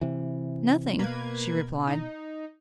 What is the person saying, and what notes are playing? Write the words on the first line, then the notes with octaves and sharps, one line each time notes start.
"Nothing," she replied.
C3 E3
B2 A#3 B4 G#6
D#4